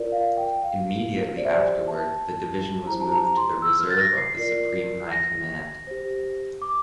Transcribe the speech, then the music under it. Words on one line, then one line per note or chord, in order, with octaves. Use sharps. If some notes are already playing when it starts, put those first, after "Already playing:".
Immediately afterward the division was moved to the Reserve of the Supreme High Command.
Already playing: F4 A#4 D5
F5
G5
F5
G4 C5 D5
E5
D5
E5
A5
E4 G4 C5 A#5
A5
A#5
C6
E6
F6
A6
A#6
C7
F4 A#4 D5 C7
A#6
G4 C5
D6